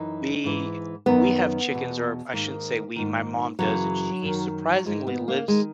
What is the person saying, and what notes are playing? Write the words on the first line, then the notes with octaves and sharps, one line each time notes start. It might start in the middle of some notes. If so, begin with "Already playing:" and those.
We we have chickens, or I shouldn't say we, my mom does, and she surprisingly lives
Already playing: F#2 E3 D#4
G#2 E3
F#2 D#3 B3
E2 B2
G#2 D#3 A#3
G#2 D#3
F#2 C#3 E3 F#3
F#2 D#3
F#3
G#2 D#3 G#3
B3
A#3
D#3 G#3